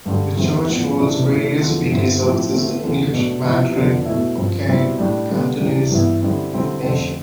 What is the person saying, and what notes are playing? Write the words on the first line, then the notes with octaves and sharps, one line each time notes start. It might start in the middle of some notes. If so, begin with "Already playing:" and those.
The church holds various weekly services in English, Mandarin, Hokkien, Cantonese, and Indonesian.
G2 D3 G3
E2 D3 G3 C4 E4
A2 F3 B3 D4
C3 E3 A3 D4
C3 E3 A3
E2 D3 F3 A3
G2 D3 G3 C4 E4
A2 F3 C4 E4
D3 A3 C4 E4
E2 D3 A3
B2 A3 D4
C3 F3 B3 E4
F2 D3 F3 B3 D4
B2 A3 E4
G2 F3 C4
B2 G3 C4 E4
A2 G3 D4
D3 G3 B3
C3 E3 G3 D4
G2 E3 B3 E4
D3 G3 C4 E4
D3 G3 C4 E4
F2 D3 A3 C4